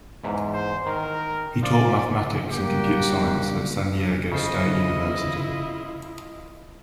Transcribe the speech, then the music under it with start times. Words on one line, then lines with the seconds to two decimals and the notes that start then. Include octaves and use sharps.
He taught mathematics and computer science at San Diego State University.
0.24 E2 G#2
0.54 C5
0.86 D#3 A#4
1.63 F3 D5
2.52 G3 A#3 D4 F#4 G4
4.32 C#3 E4 F4 A4 C5 D#5